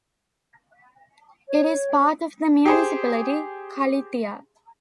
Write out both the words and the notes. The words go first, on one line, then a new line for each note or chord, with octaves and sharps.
It is part of the municipality Kallithea.
C#5
G4 G#4 C5